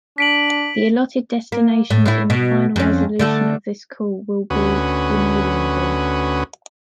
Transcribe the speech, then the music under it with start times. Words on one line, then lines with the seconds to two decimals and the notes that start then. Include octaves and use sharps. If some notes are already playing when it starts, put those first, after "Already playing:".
The allotted destinations in the final resolution of this call will be inalienable.
0.18 D4 B6 D7 F#7
1.52 A#3
1.90 A2
2.06 A2 E4
2.30 B2
2.76 F2 C#4
3.19 D3 A3 A4
4.50 D2 C#4 F#4 B4 D#6